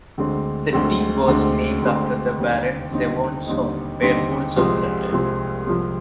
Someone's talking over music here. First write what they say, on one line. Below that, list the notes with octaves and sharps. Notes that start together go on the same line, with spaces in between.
The team was named after the Warren Zevon song Werewolves of London.
D2 D3 G#3 C4
D2 D3 G#3 C4
D2 D3 G#3 C4
D2 D3 G#3 C4
D#2 D3 G3 C4 D#4
D#2 D3 G3 C4 D#4
D#2 D3 G3 C4 D#4
D#2 D3 G3 C4 D#4
C2 C3 F3 G#3 C4
C2 C3 F3 G#3 C4
C2 C3 F3 G#3 C4